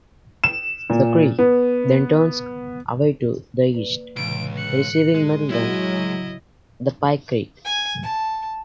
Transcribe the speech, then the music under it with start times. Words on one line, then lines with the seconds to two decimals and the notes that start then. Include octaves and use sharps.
The creek then turns away to the east, receiving Middle Run and Pike Creek.
0.44 E7
0.90 A#2
1.39 B3
3.73 A#3 B4 D5
4.16 C#2 A2 C3 E3 D7
4.57 F#6 C#7
5.14 G#3
5.49 F#3 E4 D#5
5.92 C#3
7.65 G#5
8.03 A5